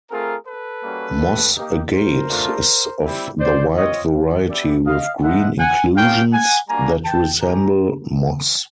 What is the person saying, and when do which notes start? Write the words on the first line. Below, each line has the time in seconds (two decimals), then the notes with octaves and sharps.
Moss agate is of the white variety with green inclusions that resemble moss.
0.10 A3 C4 F4 G#4 A#4
0.47 A4 B4
0.84 G3 A#3 C#4 F#4
1.57 A#3 D#4 G4
1.93 A#4 C5
2.30 A3 D4 F4
3.04 G3 C4 E4 G4
3.39 C5 D5
3.76 C4 F4 C#5 D#5
4.49 B3 D4 G4 D5 E5
4.86 D#5 F5
5.22 G#3 B3 D#4 E5 F#5
5.59 F#5 G#5
5.95 A#3 C#4 F4 F5 G5
6.32 F#5 G#5
6.68 G3 A#3 D4 F#4 G#5 A#5
7.05 G5 A5
7.42 A3 D4 G4 G#5 A#5